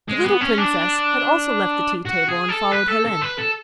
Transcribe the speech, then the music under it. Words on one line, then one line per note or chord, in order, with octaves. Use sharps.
The little princess had also left the tea table and followed Helene.
G#3
B3
C#4
D4
F#4
G#4
A4
B4
A4
A4
B4
A4